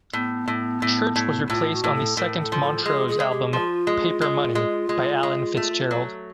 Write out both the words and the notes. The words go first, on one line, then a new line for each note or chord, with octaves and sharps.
Church was replaced on the second Montrose album "Paper Money" by Alan Fitzgerald.
A2 B3
A2
A2
A2
A2 F4
F#4
A2
A4
A2 A#4
A4
F3
A4
G#3 G#4
G#4
G#3
G4
F3 F4
G#3
G#3
G#3
G#3
G#3
A3
F#3